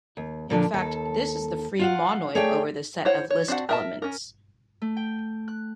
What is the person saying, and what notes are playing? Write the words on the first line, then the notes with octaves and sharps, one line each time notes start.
In fact, this is the free monoid over the set of list elements.
D#2
A#2 D3 F3 D4
D#2 A4
F4 F5 F#5
A3 G#4 C#5 D5 E5 G5
E4 C5 C#5 F#5
C#5
C4 D4 F#4 F#5
A#4 E5 A5
C#4 A#4
A3
G5
F#6